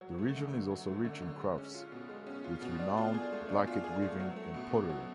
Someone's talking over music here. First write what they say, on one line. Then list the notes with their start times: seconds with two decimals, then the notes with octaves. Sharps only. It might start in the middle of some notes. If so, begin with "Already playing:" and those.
The region is also rich in crafts, with renowned blanket-weaving and pottery.
0.01 F#3
0.18 A3
0.36 D3
0.53 D3
0.71 F#3
0.88 A3
1.05 D3
1.22 D3
1.40 G#3
1.58 C#4
1.74 F4
1.92 B2
2.09 G#3
2.27 C#4
2.44 F4
2.62 B2
2.79 D4
2.98 F4
3.14 G#4
3.32 A3
3.49 D4
3.67 F4
3.84 G#4
4.02 A3
4.20 F#3
4.36 A3
4.54 B2
4.71 B2
4.89 F#3